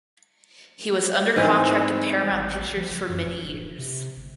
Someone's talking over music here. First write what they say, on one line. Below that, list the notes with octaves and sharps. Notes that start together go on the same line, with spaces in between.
He was under contract to Paramount Pictures for many years.
G#2 E3 C4 E4
G#1
A#1
F3
F#1
F#2
F1
D1
C3
G1